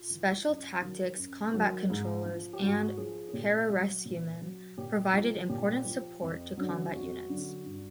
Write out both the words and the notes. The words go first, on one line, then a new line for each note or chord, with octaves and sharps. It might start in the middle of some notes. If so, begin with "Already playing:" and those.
Special tactics Combat Controllers and Pararescuemen provided important support to combat units.
Already playing: F4
E3
F#2
D#3 F#3
F#2
D#3 F#3
G#2
F3
G4
G#2 F#4
F3 G#4
G#4
A#2 G4
F#3 F#4
A#2
F#3
A#2 G4
F3
A#2 G4
F3
F2
D3 F#3
F2 F#4
D3 F#3
G2